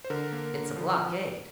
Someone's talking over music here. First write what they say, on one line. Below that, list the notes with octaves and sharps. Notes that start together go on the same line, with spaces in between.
"It's a blockade."
C5
D3 A#4
A#3
D3
F3